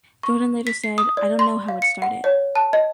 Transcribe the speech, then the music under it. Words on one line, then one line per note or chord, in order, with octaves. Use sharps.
Jordan later said, I don't know how it started.
C#6
B6
C7
D#6
D5
C6
F5
C#7
F#5
C#5
A5
D#5